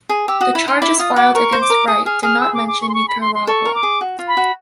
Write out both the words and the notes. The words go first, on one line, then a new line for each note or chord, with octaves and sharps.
The charges filed against Wright did not mention Nicaragua.
G#4
G4 E6
F#4 D#6
E4 B5
D#4 C6
E4 D6
F4 D#6
F#4 D6
A#4 C#6
C5
D6
A#4
G#4 D#6
G#4 F6
G#4 F6
E6
D6
D6
C#6
C6
C#6
B5
C6
C6
A4 C#6
A#4
D6
G#4
F#4
F4
B5
F#4